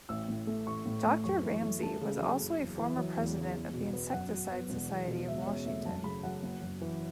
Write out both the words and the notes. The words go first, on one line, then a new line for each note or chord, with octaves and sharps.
Doctor Ramsay was also a former president of the Insecticide Society of Washington.
A1 E6
A2
A3
A1 C#6
A2
A3
F#2 C#6
E3
A3
A3 A5
C#3
F#3
F#1
E2
E3
F#3 C#5
E2
C#3
E2
B2
B3
F#2 F#5
F#3
B3
E1
E2
B2
C#2 E5
C#3 C#5
A3 E5
F#2 A5
C#3 B5
F#3 F#5
F#1
F#2
E3